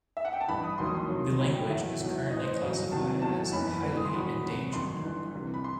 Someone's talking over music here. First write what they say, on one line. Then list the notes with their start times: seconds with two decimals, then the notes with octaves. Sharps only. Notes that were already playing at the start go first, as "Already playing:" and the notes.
The language is currently classified as "highly endangered".
0.17 E5
0.25 F#5
0.33 G5
0.40 A5
0.48 A1 G2 E3 B5
0.63 D#6
0.78 E1 D#2 D#3 F#3 C6
0.86 D#6
0.94 C6
1.09 C2 C3 D#3 F#3
1.39 B1 A2 F#3 B5
1.54 G5
1.70 E2 D#3 F#3 E5
2.00 E1 E2 B2 F#3
2.30 A1 A2 E3 D#5
2.40 C5
2.51 D#5
2.61 G1 G2 F#3
2.91 E2 C3 D#3 F#3 A5
3.22 E2 B2 F#3 A5
3.52 F#1 F#2 E3 B5
3.82 G1 G2 E3
3.97 D#6
4.05 C6
4.13 E2 D#3 F#3 B5
4.43 E2 C3 E3
4.73 G1 F#2 D#3 C6
5.04 G1 G2 E3
5.34 C2 C3 E3
5.54 B5
5.64 C6